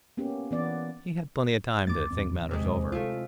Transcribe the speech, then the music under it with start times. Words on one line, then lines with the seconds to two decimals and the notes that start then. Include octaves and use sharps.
He had plenty of time to think matters over.
0.17 A#3 B3 C#4 G4
0.51 E3 B3 D5
1.87 F#2 A3 A#3 D6 A6
2.11 D1 E2 C4
2.51 C3 G#3
2.92 A3 F4